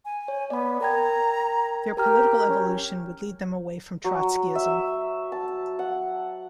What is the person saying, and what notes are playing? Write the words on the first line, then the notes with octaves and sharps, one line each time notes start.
Their political evolution would lead them away from Trotskyism.
G#5
C#5
B3 D5 B5
A#4 G5 A#5 G#6
G4 A#4 A#5 F6
C#4
F#3
E5
A5
F#5